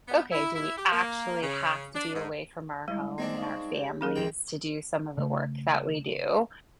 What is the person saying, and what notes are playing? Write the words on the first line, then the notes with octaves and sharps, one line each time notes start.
okay, do we actually have to be away from our home and our families to do some of the work that we do?
B3
E4
E4
G4
A#3
C#3
D4
G#2
G3 G#3 E4 D#5
G#3 A3 B3 C4 D4
D#4 F5 C#6
G4 G#4 C#5
F#3 C#4 G#4 A#4 F#6 D#7
B1 G#2 E3 F3 G5 C6
C#3 A3